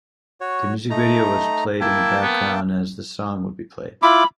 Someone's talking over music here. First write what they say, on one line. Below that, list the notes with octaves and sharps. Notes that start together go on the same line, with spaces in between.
The music video was played in the background as the song would be played.
F#4 C#5
A3 D#4 A#5
A#3 E4 G5 A5
B3
E4 F4 B5 D6